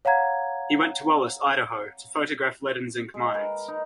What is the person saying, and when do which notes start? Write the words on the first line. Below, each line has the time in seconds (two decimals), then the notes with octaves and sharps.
He went to Wallace, Idaho, to photograph lead and zinc mines.
0.05 C#5 F5 F#5 A#5 G#6
3.14 G#3
3.34 A#4 B4
3.68 D#4